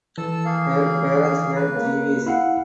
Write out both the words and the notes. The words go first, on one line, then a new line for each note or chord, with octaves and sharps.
Her parents were Jewish.
E3 A4 A5 E6
A#3 G#4 F5
B4
A#3
E4 F5 F#5